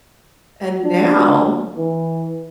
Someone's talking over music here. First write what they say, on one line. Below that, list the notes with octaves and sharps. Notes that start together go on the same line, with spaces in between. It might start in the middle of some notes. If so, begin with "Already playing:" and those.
and now
D4
E3